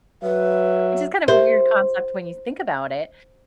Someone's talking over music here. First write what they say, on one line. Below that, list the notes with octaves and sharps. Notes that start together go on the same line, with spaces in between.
which is kind of a weird concept when you think about it.
F#3 B4 E5
G4 A#4 C5 E5